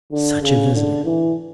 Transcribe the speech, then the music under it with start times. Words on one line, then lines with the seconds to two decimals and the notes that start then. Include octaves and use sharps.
Such a visitor!
0.12 D3
0.42 C#3
0.74 D3
1.05 E3